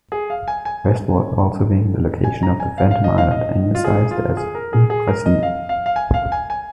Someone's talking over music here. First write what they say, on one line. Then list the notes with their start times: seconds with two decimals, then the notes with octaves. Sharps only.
West-ward also being the location of the phantom island, anglicized as, Hy-Brasil.
0.12 G#4
0.30 F5
0.48 G#5
0.65 G#5
2.24 G#5
2.43 A#5
2.60 G#5
2.78 F5
2.91 F5
3.04 D#5
3.18 F5
3.31 D#5
3.75 F4
3.84 G#4
4.11 F4
4.37 G#4
4.55 A#4
4.73 G#4
4.90 G#4
5.08 A#4
5.26 D#5
5.43 F5
5.69 F5
5.86 F5
5.96 G#5
6.14 F5
6.32 G#5
6.50 G#5